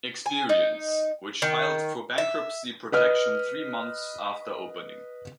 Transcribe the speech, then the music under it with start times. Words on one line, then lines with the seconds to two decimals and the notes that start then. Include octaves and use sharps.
Experience, which filed for bankruptcy protection three months after opening.
0.26 G#5
0.49 D#4
1.42 D#3
2.18 E5
2.92 B4 D#5 F6